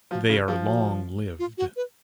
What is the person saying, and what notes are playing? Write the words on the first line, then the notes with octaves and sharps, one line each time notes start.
They are long-lived.
F3 F#4
C#3 F#4
F3 G#4
F#4
F4
F#4
B4